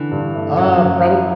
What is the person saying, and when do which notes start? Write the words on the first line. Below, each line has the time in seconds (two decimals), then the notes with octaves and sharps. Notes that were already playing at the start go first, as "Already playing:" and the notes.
Uh, probab
Already playing: D3 E3
0.11 G2
0.35 A3
0.57 F#2 F#3
0.80 F#2
1.03 E4